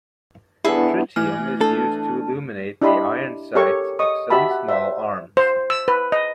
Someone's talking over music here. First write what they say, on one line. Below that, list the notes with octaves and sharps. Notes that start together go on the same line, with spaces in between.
Tritium is used to illuminate the iron sights of some small arms.
B3 D4 E4 G#4 A4 E5
E3 A3 G#5 F6
D4 A4 A5
D4 E4 G4 D#5 B5 C6
G4 A4 A#4 C#5 C#6
D#5 C#6 D#6
F#4 G4 E5 A5 B5
F#5
C5 D5 E5
C5
E6
B4
D#5